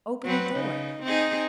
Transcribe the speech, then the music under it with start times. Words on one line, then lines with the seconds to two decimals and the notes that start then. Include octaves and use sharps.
Open the door.
0.24 F#3 C4 B4
0.54 C#3 D#4
1.03 C4 D#4 G#4